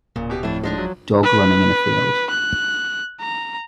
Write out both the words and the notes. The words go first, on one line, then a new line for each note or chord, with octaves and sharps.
Dog running in a field.
D1 A#2 C#3
B2 G4
F2 A2 D4 E4
F3 G#3 D4 D#4
F#3
B4
F#6
A#5